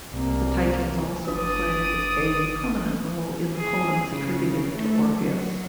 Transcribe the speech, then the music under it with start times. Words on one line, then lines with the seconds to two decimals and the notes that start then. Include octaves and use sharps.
The Titans also played a prominent role in the poems attributed to Orpheus.
0.11 C2 A#3
1.27 G1 D4 B4 D5 D#6
3.57 G#4
4.08 C#3
4.74 A3
5.12 F#3